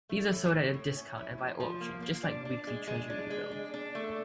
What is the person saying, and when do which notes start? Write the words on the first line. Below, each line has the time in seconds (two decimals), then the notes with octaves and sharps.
These are sold at a discount and by auction just like weekly Treasury bills.
0.09 A3
0.31 A2
0.53 A2
0.74 A2
0.96 C#4
1.17 E4
1.38 F3
1.60 F3
1.81 A#3
2.02 A#3
2.23 D4
2.45 D4
2.67 G#3
2.87 G#3
3.10 D4
3.30 G#3
3.52 D4
3.74 D4
3.95 A3